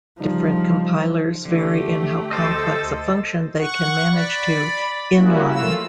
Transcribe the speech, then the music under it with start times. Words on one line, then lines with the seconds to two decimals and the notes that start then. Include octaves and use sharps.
Different compilers vary in how complex a function they can manage to inline.
0.20 C#3 F3 G3 D#4
1.45 D3 A3 G4
2.31 D2 A4 C5 D#5 C6 D6 E6 A6
3.59 F#5 C#6
4.12 D5 B5
5.15 G3 A#3 C#4 E4 F#4
5.50 F3 A3 F4 E6